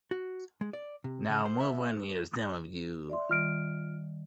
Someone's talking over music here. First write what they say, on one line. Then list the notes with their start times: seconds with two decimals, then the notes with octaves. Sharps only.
Now move on here, some of you.
0.11 F#4
0.61 G#3
0.73 D5
1.04 C3
1.30 C#3
1.45 C5
1.60 E5
3.09 D5 E5 C6
3.29 D#3 G3 F4 F6 D7